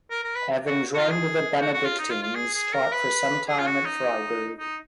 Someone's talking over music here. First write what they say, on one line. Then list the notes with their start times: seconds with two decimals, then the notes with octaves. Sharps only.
Having joined the Benedictines, taught for some time at Freiburg.
0.10 A#4
0.24 A#4
0.35 B4
0.66 F#4
0.94 F#4
0.98 F4
1.10 G#4
1.60 F#4
1.73 F#4
1.85 F4
1.98 D#4
2.10 F4
2.22 F4
2.35 G#4
2.53 G#4
2.73 A#4
2.92 B4
3.48 G#4
3.59 F4
3.66 F#4
3.85 D#4
4.59 D#4